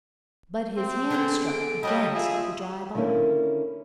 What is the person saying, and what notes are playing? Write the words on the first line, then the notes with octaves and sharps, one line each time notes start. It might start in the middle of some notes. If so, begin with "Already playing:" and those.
But his hand struck against the dry bottom.
C4
D3 B3 G#4 A4
D7
G3 F#4 G4 A4 C#5 D#5 G5
F4 G#4 E5
D3 D#3 A#3 C#4 E4